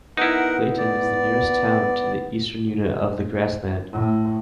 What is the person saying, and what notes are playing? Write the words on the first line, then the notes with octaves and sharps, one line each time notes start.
Clayton is the nearest town to the eastern unit of the Grassland.
B3 D#4 E4 A#4 F#5
D5
A2